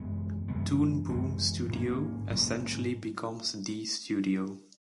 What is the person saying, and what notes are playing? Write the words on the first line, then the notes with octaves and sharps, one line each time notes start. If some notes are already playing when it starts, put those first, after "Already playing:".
Toon Boom Studio essentially becomes the studio.
Already playing: F#2 E3 G#3 B3
F#2 E3 G#3 B3
F#2 E3 G#3 B3
G#2 F#3 A#3 C#4
G#2 F#3 A#3 C#4